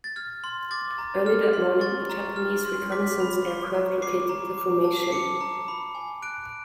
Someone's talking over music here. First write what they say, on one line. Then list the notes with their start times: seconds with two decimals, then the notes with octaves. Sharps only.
Early that morning, a Japanese reconnaissance aircraft located the formation.
0.04 A6
0.16 F6 G#6
0.44 C6
0.71 D6 A6
0.98 A#5
1.26 F6
1.53 C6
1.81 C#6 A6
2.09 A#5
2.36 F6
2.65 C6
2.92 D6 B6
3.20 B5
3.47 C#6
3.74 A#5
4.02 D6 C7
4.29 A#5
4.58 D6
4.84 A5
5.03 C7
5.12 D6 C#7
5.41 A#5
5.68 B5
5.95 G#5
6.22 F#6 D7